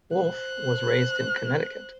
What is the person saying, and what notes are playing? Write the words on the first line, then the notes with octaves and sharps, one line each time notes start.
Wolfe was raised in Connecticut.
C5 F#6